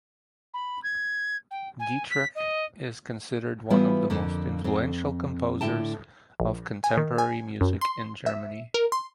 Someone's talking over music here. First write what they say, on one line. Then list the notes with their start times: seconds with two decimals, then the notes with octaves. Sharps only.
Dittrich is considered one of the most influential composers of contemporary music in Germany.
0.53 B5
0.83 G#6
1.50 G5
1.79 G#5
2.10 B6
2.35 D#5
3.70 E3 G3 B3 E4 F4 B4
4.10 F2 D3 A#3
4.64 F2 C4
5.61 A2 D3 E4 G5 A5
6.40 A#1
6.84 G#5
6.97 D#3
7.18 G#5
7.61 F#2
7.81 C6
8.26 E5
8.74 A#4
8.92 C6